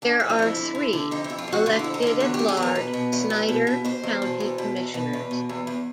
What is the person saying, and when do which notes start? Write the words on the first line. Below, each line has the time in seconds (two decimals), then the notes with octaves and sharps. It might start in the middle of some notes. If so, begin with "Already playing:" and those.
There are three, elected at large, Snyder County Commissioners.
0.02 F2 D4
0.20 F2
0.30 F4
0.39 F2 E4
0.57 D3
0.75 D3
0.93 D3
1.11 F2 D#4
1.24 E4
1.30 F2
1.38 F4
1.48 F2 F#4
1.66 D3 F4
1.79 E4
1.84 F2
1.94 D#4
2.02 D3 F4
2.20 E2 F#4
2.34 G4
2.39 E2
2.48 G#4
2.57 E2
2.62 A#4
2.75 B2 B4
2.93 B2
3.13 E2
3.30 E2
3.49 B2
3.67 B2
3.84 B2 C5
4.03 E2
4.22 B2
4.40 E2
4.58 B2
4.76 E2
4.94 B2 B4
5.13 E2
5.31 B2
5.49 E2
5.67 E2